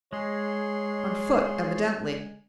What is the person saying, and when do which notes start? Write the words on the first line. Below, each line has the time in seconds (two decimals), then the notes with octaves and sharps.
On foot, evidently.
0.13 G#3 G#4 C#5 C6